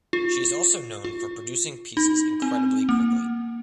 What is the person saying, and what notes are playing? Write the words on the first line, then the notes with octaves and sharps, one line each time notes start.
She is also known for producing pieces incredibly quickly.
F4
F4
D#4
C4
A#3